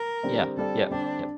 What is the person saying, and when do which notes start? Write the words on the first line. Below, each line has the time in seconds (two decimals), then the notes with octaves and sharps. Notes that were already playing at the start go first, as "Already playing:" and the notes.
Yeah, yep, yep,
Already playing: A#4
0.23 D3 G3 C4 G4 D5
0.57 D3 G3 C4 G4 A4 D5
0.90 D3 G3 C4 D4 G4 D5